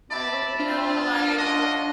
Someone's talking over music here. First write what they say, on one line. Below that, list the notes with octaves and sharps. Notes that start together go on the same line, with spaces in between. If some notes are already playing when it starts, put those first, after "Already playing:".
like, what" you know? Like,
D5 E5 A5 B5
D4 F4
C#4 F4 D#5 F#5